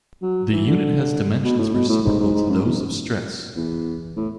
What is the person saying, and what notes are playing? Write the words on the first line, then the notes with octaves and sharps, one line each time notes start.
The unit has dimensions reciprocal to those of stress.
F#3
E3
D3
B2
A2
B2
A2
G#2
G#2
G#2
F#2
E2
G#2
E2
A2